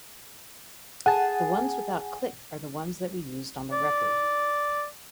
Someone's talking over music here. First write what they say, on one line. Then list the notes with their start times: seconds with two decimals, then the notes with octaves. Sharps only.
The ones without click are the ones that we used on the record.
1.06 G#4 F#5 A5
3.72 D5